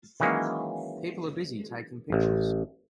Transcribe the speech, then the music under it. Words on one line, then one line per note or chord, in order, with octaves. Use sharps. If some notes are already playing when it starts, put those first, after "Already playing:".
People are busy taking pictures.
D#3 E3 F#3 G#3 A#3 C#4
A1